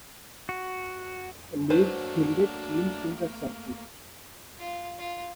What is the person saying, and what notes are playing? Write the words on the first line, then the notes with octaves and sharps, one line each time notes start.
Lead fielded teams in the circuit.
F#4
F#3 A3 A#3 D4 B4 C5
F4
F4